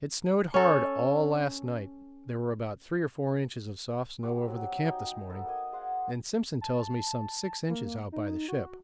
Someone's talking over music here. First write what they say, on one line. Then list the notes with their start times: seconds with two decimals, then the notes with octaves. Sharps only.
It snowed hard all last night; there were about three or four inches of soft snow over the camp this morning and Simpson tells me some six inches out by the ship.
0.54 C#4 A4
4.23 G4 A5 C#6 D6
4.46 F#3 G3 C4
4.84 D#4 G5 G#5 A#5
5.30 B3 A4
5.47 A#3 D#5 G#5 D#6
5.73 G#4 C5 F5 F#5
6.61 A5
7.69 A#3
8.12 D#4
8.48 F#4